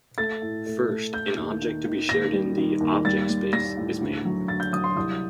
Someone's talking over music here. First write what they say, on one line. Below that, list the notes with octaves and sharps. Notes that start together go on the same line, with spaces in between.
First, an object to be shared in the "Object Space" is made.
A3 A6
A2
A3
A3
A3 G6
D#2
D#3
D#3
D#2 A#6
G3
D#3
D#2
G3 A6
G3
G3 A#6
A2
D2
F#3
D2 A6
G6
F#3 D#6
C6
C2 D#6